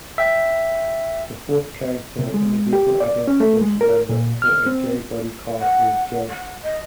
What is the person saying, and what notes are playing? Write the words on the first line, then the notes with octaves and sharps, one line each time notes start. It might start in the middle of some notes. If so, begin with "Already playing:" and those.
The fourth character in the Vehicle Identification Number for a J-body car is "J".
E5 G5
C3
G#3
G4
D5
C#4
A3
G#3
A#4
A#2
F6
C4
F#5
F#5
D#5